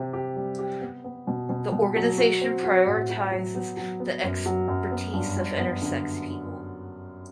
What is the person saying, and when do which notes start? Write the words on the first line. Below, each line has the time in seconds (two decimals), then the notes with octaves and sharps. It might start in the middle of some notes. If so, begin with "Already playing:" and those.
The organization prioritises the expertise of intersex people.
Already playing: C3 G4
0.13 G4
0.36 G3
0.59 G4
0.81 B3
1.04 B3
1.27 B2
1.49 B2
1.72 B2
1.96 F#3
2.18 F#4
2.41 C4
2.63 F#4
2.86 A2
3.09 F#4
3.32 F#3
3.55 B3
3.77 F#3
4.00 B3
4.23 F#2
4.46 F#3
4.68 F#2
4.91 B3
5.13 G2
5.36 G2
5.59 B3
5.82 D3